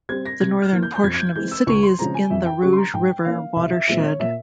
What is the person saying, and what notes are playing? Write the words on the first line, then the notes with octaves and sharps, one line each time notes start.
The northern portion of the city is in the Rouge River watershed.
G3 C4 G#6
A#6
C3 G#6
F6
E3 A#3
G6
G6
F2 G#6
G#6
G6
E3 G#3 C4 G6
E6
C#2 C#6
C6
C#3 F3 G#3 C4 A#5
G#5
F2 E5
G5
C#3 G3 C#4 C#6
C6
A#5
G#2 G5
E3 A#3 C#4 F5
C2 E5
E5
A#2 F3 G#3 C4 E5
C#5
A#2 E5